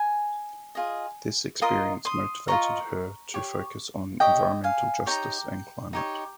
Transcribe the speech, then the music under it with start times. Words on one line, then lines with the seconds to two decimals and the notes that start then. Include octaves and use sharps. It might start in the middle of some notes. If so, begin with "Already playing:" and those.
This experience motivated her to focus on environmental justice and climate.
Already playing: G#5
0.75 F4 G#4 D#5
1.61 F4 A#4 D#5 C6 D#6
2.05 C6 D#6
2.48 F4 A#4 D#5 A#5 C#6
3.34 G4 C#5
4.20 G4 C#5 D#5 G5
4.64 F5 G#5
5.06 D#4 G4 C#5 G5 A#5
5.93 D#4 G4 C#5